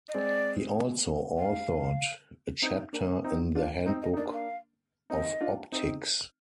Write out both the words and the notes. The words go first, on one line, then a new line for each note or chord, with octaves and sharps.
He also authored a chapter in the Handbook of Optics.
D#5
G#3 C4 D5
F5
C4 D#4
A#3 D4
C4 D#4
D4 F4
C4 D#4 D#5
D#5
D#4
A#3 D4 D5
F5
C4 D#4 D#5
D4 F4
C4 D#4